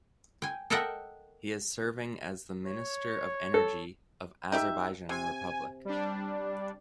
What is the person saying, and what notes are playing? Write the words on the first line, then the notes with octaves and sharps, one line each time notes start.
He is serving as the Minister of Energy of Azerbaijan Republic.
G5 G#5
A4 A#4 D#5 E5 F#5 G5
C#5
A4
D#4 G4 E5
C3 G#5
G3 D4